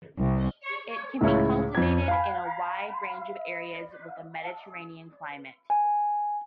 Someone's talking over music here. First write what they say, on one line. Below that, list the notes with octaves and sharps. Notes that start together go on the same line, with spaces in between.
It can be cultivated in a wide range of areas with a Mediterranean climate.
C2
C#2 A2 C#3 E4 C#5
F2 G#6
F5 B5
G#5